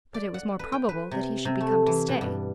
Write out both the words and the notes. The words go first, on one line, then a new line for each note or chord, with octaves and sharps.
But it was more probable that he should be come to stay.
D5
F#5
B4
G5
B4
C3
C3
A3
E3
B2
G2